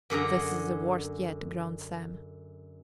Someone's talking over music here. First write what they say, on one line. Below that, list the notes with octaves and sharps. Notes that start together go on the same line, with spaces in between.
"This is the worst yet!" groaned Sam.
F#2 D3 G#4 A#5